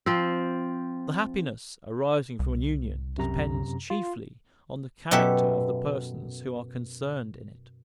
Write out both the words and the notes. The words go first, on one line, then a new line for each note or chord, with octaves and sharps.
The happiness arising from an union depends chiefly on the character of the persons who are concerned in it.
F3 C4
C2
F#2 C3 A#5
F4
F#2 B2 G4 A4 E5